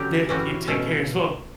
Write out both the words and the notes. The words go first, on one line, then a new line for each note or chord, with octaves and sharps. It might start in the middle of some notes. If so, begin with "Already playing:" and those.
Yeah, you take care as well.
Already playing: D3 F#3 C#4 G4
A2 E3 G3 C#4 F#4
B2 A3 C#4